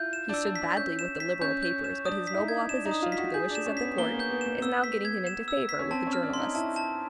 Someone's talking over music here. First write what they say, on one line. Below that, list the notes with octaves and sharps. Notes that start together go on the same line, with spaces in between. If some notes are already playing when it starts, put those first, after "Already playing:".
He stood badly with the Liberal papers, but his noble opposition to the wishes of the court is now getting him into favor with the journalists.
Already playing: E4 F4 G6
E7
D4 E6
D4
B6
D4
C#4 G6
E7
B6
C#4 G6
G6
E7
D4 D#6
B6
E4
D#4
G#6
D4 E7
D#4
D#6
F4
B6
F#4
G#4 G6
D4
E7
C#4
B6
B3
A#3 G7
B3
G6
B3
E7
A#3
B3 E6
B6
G#6
E7
E6
B6
C#4
C4 A5
C#4
F6
D4
C6
D#4
E4 A5
A5